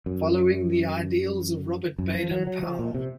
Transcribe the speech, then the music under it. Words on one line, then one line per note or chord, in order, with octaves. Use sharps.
Following the ideals of Robert Baden-Powell.
F#2
F#2
F3
F#3
F#3
F3
A#2
C3